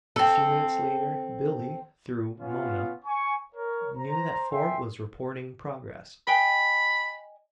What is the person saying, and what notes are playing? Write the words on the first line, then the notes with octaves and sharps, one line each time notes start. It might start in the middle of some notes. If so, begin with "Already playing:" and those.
A few minutes later Billie, through Mona, knew that Fort was reporting progress.
C4 A4
B3 C#4 F4
G#5 C#6
A#4 C#5
C5 A#5
E5 G5 G#5 C6
D#5 G5 G#5 B5